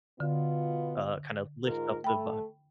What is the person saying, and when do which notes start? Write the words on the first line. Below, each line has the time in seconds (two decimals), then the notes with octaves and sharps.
uh, kind of, lift up the vibe.
0.20 B2 D3 B3 F4
1.64 G#2 F4 A#4
2.04 A3 G5 B5